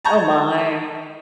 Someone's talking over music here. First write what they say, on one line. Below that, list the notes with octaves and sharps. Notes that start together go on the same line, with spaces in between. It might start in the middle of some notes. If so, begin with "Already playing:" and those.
oh my,
A5 A#5 C#6 G6 G#6